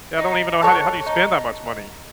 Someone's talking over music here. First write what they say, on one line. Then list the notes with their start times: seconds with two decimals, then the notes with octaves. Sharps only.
Yeah, I don't even know how do how do you spend that much money?
0.18 D#4
0.62 A4 C#5 F#5
1.06 D#4